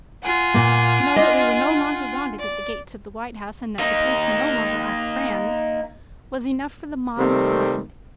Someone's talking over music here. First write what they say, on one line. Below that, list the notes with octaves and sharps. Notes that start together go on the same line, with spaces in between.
To know that we were no longer wanted at the gates of the White House and that the police were no longer our "friends" was enough for the mob mind.
F4 F#5 G#5
A#2 A#3
D4 D#5
D5
A#3 D#4
C3 D#3 G3 A3 C4